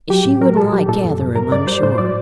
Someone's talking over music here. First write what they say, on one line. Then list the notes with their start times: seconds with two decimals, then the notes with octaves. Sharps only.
"She wouldn't like Gatherum, I'm sure."
0.09 F#3 G4
0.25 A2
0.41 F#3 A#4
0.57 A#2 A4
0.72 F#3 G4
0.88 A#2 A4
1.04 F#2
1.20 F#2
1.35 G2 A#4
1.51 G2 D5
1.67 G3 C5
1.83 A2 C5
1.98 F#3 D5